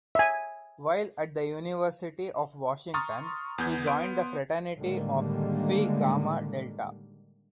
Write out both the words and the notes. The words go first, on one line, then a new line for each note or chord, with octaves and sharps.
While at the University of Washington he joined the Fraternity of Phi Gamma Delta.
E5 G#5
A#5 C6 C#6 D#6 F6 A6
E2 B3 G6 G#6
B3 C6 D7
A2 D3 D#3 G3 G#3 A#3